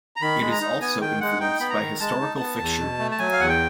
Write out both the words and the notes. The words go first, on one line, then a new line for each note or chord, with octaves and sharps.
It is also influenced by historical fiction.
A#5
D#3 B5
G#3
A#5
D#4
B3 G#5
D#3 G5
G#3 F#5
D#4 G5
B3 B5
A#5
D#3
G#3 A5
D#4
B3
E2
B2
A3
A5
F#3 G#5
F5
E2 F#5
G5